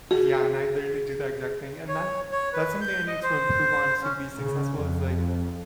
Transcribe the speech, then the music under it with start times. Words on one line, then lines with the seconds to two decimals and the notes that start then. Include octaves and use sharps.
yeah and I literally do the exact thing, and then that's something I need to improve on to be successful is, like,
0.11 F#4 G#4
1.88 C#5
2.32 C#5
2.53 B4
2.81 G6
3.07 D#5
3.23 C5
4.02 C#4
4.39 C#3
4.79 F2